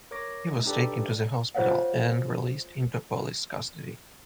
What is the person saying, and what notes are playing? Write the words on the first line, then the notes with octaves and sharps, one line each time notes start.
He was taken to the hospital and released into police custody.
A#4 C#5 D6 A#6
A3 D#4 D#5
D4 D#4 G4 A4 B4 D5
F4 G#4 C5 C#5 F5 F#5